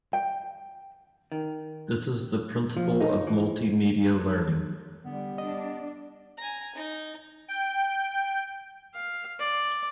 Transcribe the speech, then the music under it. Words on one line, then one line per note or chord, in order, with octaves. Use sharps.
This is the principle of multimedia learning.
G5
D#3
F3
D#4
E3
D3 G3 B3
D4 D#5
G#5 A#5
D#4
G5
F5
D5